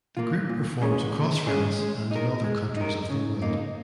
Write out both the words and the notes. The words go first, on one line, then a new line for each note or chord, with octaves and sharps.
The group performs across France and in other countries of the world.
A#3 F4
A#2
G#3 C#4 G#4
A#2
G#3 C#4 G#4
G#3
D#4 A#4
G#3
D#4 A#4
C#3
A#3 D#4